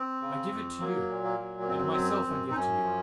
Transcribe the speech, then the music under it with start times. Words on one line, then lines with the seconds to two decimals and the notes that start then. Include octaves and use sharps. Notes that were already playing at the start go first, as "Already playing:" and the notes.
I give it to you, and myself I give to you.
Already playing: C4
0.22 C#3
0.52 F2
0.80 F#3 A#3
1.09 A#2
1.24 A#3
1.38 F#3
1.60 A#3
1.68 F#2 C4
1.96 F#2
2.26 F#2
2.51 D#4
2.55 F#2 C#4
2.83 F3